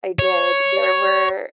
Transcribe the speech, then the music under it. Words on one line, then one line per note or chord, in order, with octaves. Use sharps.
I did. There were
C#5